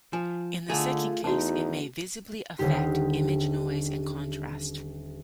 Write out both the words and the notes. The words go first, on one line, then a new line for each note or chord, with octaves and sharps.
In the second case, it may visibly affect image noise and contrast.
F3 G#5
D3 A3 E4 F4 G#4
E2 D#4 F#4 A5
D#1 D3 D#3 G4 C6